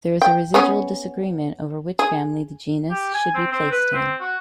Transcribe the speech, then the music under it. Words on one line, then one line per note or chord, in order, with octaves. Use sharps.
There is residual disagreement over which family the genus should be placed in.
G5
B3 C#4 G#4
G#4
G4
G#5
C4
C4
B4
C4
F#4